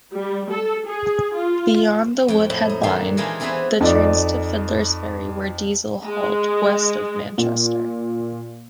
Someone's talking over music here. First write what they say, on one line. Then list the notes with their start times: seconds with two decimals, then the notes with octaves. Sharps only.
Beyond the Woodhead Line, the trains to Fiddlers Ferry were diesel-hauled west of Manchester.
0.15 G3
0.51 A4
0.87 G#4
1.36 F4
2.28 F2 G5
2.50 A2
2.69 D#4
2.83 A#2 D#3 D4 C6
3.17 E3 G3 G#3 D4 D#4 F4
3.40 E2 E3 C4 D4 G#4 B4
3.81 F2 D#4 D5
6.05 G#3
7.38 A#2